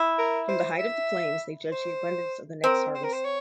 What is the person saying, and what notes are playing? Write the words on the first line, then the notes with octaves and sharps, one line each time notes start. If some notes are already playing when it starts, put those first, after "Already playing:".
From the height of the flames they judge the abundance of the next harvest.
Already playing: E4
A#4
C5
E5
C5
C4 A#4
C5
A#4
C5
C#5